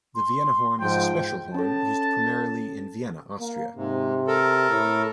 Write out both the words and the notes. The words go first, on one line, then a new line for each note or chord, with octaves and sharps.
The Vienna horn is a special horn used primarily in Vienna, Austria.
C6
G#2 F3 G5
C#4 A4 A5
A#3
G#2 C3
A4 A#4
A2